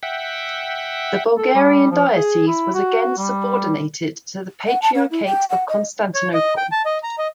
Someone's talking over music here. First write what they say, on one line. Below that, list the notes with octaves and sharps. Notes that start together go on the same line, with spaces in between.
The Bulgarian diocese was again subordinated to the Patriarchate of Constantinople.
E5 F#5 G5
A4
G3
F3
G#4
E4
F#4
G3
F#5
A5
C#4
E4
G5
F#5
D#5
C#5
D#5
G5
A5
D#5
A#5
D#5